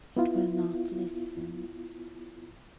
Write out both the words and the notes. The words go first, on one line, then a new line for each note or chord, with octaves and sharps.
"It will not listen!"
B3 E4 F4